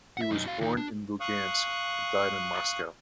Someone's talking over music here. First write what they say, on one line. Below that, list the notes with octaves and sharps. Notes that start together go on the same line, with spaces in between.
He was born in Lugansk, and died in Moscow.
E5 F#5
F#2 D#4
F#4 F5
D#2 D#4
D4
F5 C#6 D#6 F#6